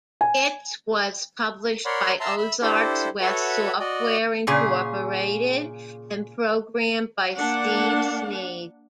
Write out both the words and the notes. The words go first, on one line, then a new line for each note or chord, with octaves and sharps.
It was published by Ozarks West Software Incorporated and programmed by Steve Sneed.
G#5
A#4 C#5 D5 F#5 B5 C6
E5 A5 A#5 C6 E6
E5 B5
D4 E4 G4 A4 C5
F#4 A4 B4 C#5 E5 F#5
F#4 D5 D#5
A#2 C#3 G#4
A#3 D4 F#5